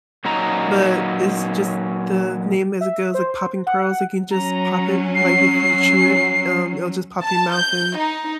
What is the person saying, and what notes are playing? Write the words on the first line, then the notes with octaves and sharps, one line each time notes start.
but it's just the name as it goes, like popping pearls. You can just pop it, like, if you chew it, um, it'll just pop in your mouth, and
A#2 F#3 C#4 D#4 A#5
E5
C5
F#5
F#3 C#4 A#5
C7
A5
G6
D#4